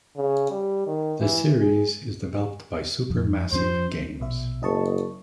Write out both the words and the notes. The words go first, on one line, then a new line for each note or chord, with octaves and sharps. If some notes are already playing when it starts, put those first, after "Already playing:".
The series is developed by Supermassive Games.
C#3
G3
D#3
E3
G#4
F2
F2 F3 C#4 C5
A#1 B2 E5
F#1 D#5 A5 C#6